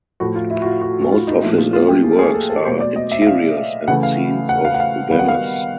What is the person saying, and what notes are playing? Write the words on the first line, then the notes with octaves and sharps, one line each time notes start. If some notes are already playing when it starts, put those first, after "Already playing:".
Most of his early works are interiors and scenes of Venice.
A2 F3 A3 F#4
F4
E4
F#4
F4
F#4
F#4
F4
D#4
A#2 F3 A3 E4
F4
F4
G4
G#4
A4
G#4
A4
A4
B2 F#3 A3 C5
D5
D#5
E5
E5
F5
C#3 E3 A3 F#5
F5
F#5
F5
F#5
F5
D#3 G3 B3 F5
F#5
F5